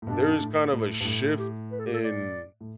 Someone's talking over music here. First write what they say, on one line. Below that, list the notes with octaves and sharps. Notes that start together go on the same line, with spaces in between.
there is kind of a shift in
A2
G2 B2 D4
A2
A2
G2
A2
G4
B4
A4
G4
A4
D5
A2